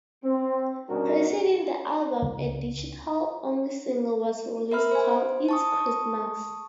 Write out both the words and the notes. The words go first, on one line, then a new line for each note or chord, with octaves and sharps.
Preceding the album a digital-only single was released called "It's Christmas".
C4
B2 G3 C#4 D4 F#4 A#4
C#2
A#4 E5 B5 F6
C5 G#5
A5 C#6 D#6